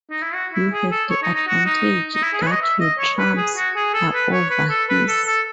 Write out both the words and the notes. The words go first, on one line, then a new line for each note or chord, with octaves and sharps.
You have the advantage that your trumps are over his.
D#4
E4
F#4
E4
G#4
A4
C#5
D#4
D#4
F#4
D#4
D#4
E4
G#4
B4
C#5
D#5
E5
D#5
C#5
B4
G#4
F#4
G#4
A4
B4
C#5
B4
A4
B4
A4
A4